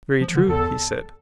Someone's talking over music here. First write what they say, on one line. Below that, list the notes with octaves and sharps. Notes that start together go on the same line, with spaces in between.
Very true, he said.
F3
D3
E2 A4